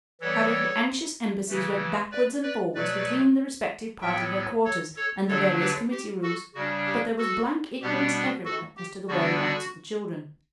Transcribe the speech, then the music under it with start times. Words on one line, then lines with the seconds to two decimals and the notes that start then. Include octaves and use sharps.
Hurried, anxious embassies went backwards and forwards between the respective party headquarters and the various committee-rooms, but there was blank ignorance everywhere as to the whereabouts of the children.
0.21 E3 G3 B3 A4 C#5
1.48 C#3 E3 A3
2.11 B4 D5
2.43 B4 D5
2.75 B2 F#3 A3 B4 D5
4.01 A2 F#3 B3 E5 G5
4.65 A4 C#5
4.96 A4 C#5
5.28 D3 F#3 A3 D4 A4 C#5
5.60 G4 B4
5.91 G4
6.23 F#4 A4
6.55 C#3 G3 D4 F#4
6.87 G4
7.18 F#4 A4
7.81 B2 G3 B3 D4 G4
8.45 F#4 A4
8.77 G4
9.08 D3 G3 B3 D4 F#4